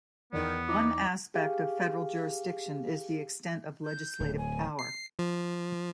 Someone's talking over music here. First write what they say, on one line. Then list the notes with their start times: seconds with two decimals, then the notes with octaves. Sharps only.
One aspect of federal jurisdiction is the extent of legislative power.
0.33 E2 D#3 B3
0.68 D#4 D6
1.34 G4 G#4 F5
3.85 G6
4.20 D1
4.38 G#5
4.79 C7
5.19 F3